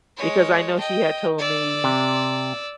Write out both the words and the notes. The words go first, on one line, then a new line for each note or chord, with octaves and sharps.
because I know she had told me,
G#3 C#5
D#5 G5 A5
D5 E6
C3